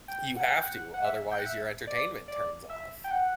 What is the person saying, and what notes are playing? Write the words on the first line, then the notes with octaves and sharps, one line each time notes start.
You have to, otherwise your entertainment turns off.
G5
F#5
G5
F#5
F#5
E5
G5
F#5
E5
D5
D5
E5
G5
F#5